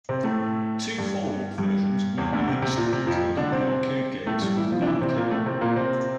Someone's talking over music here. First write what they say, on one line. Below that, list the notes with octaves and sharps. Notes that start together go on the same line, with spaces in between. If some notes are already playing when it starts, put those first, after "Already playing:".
Two follow up versions were released, including the arcade games from Namco.
C3 C4
A2 A3
G2 G3
G2 G3
E2 E3
D2 D3
C3
C3
A#2
C3
F2 F3
D3 D4
C3 C4
A2 A3
G2 G3
E3 E4
F3 F4
D4
E3 E4
C3 C4
A#2 A#3
A2 A3
C3 C4
A#2 A#3
C3 C4